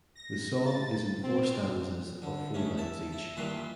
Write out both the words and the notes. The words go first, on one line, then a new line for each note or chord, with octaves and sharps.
The song is in four stanzas of four lines each.
A#6
A6
C4
D3
G#3 A3 C#4
E4 A5
E4
G2 A#2 D#3 E3 B4 C6